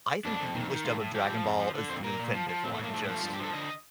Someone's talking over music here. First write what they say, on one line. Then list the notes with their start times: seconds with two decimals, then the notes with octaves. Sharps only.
I think the English dub of Dragon Ball is the definitive one, just
0.25 F2 D4
0.40 F2
0.55 D#3
0.70 D#3
0.84 A2 F4
1.00 A2
1.14 F3 G4
1.29 F3
1.44 F2
1.59 F3
1.74 D3
1.89 F2 C5
2.04 A#2 A#4
2.19 A#2
2.34 F3
2.49 F3
2.64 A2 C4
2.74 A3
2.79 A2 A#3
2.94 F3 A3
3.04 G3
3.09 F3
3.14 A3
3.23 G2 F4
3.33 G4
3.39 F3 A4
3.54 D3 D#5